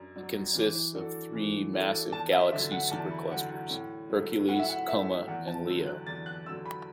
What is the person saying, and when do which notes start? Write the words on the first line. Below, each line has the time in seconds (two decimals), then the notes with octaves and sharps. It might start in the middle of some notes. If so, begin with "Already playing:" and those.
It consists of three massive galaxy superclusters: Hercules, Coma and Leo.
Already playing: F#2 F#3 D4
0.16 F#3 D4
0.55 E3
0.94 D4 F#4 A4
1.33 E3
1.73 D4 F#4 A4
2.12 E2 A5
2.32 E5
2.52 D3 F#3 E5
2.71 F#5
2.91 E2 A5
3.11 B5
3.31 D3 F#3 F#5
3.50 F#5
3.70 A2
4.10 F#3 A3
4.48 A2 F#5
4.59 E5
4.69 F#5
4.89 F#3 A3 E5
5.28 E2 F#5
5.47 A5
5.67 D3 F#3 E6
5.87 F#6
6.07 E2 A6
6.26 F#6
6.46 D3 F#3 E6
6.66 B5